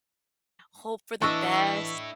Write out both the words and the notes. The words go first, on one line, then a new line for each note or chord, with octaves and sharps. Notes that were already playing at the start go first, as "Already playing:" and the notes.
hope for the best.
E3 D4 E4 A4 D#5 C#6 E6